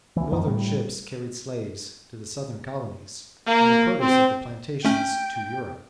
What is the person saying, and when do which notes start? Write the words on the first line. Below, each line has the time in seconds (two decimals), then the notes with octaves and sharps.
Northern ships carried slaves to the Southern colonies and the produce of the plantations to Europe.
0.16 D2 E3
0.32 F#2 D#3 F3
0.47 A2 G3
3.46 A#3
4.00 C4
4.85 A3 C#4 G5